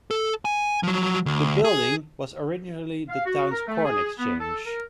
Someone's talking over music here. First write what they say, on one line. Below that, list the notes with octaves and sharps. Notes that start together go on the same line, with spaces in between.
The building was originally the town's corn exchange.
A4
G#5
F3 F#3
D2
G#4
F5
F#4
A#4
A3
G#4
B3
A4
A#4